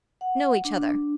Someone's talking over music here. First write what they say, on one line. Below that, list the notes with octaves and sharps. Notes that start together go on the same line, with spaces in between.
Know each other.'
F#5
D4